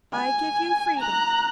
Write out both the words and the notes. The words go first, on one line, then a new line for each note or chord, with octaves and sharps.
I give you freedom.
G#5
A#5 F#6